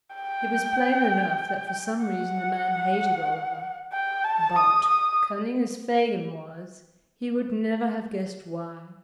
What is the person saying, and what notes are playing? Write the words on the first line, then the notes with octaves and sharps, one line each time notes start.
It was plain enough that for some reason the man hated Oliver, but, cunning as Fagin was, he would never have guessed why.
G5
F#5
G5
A5
D#6
D#6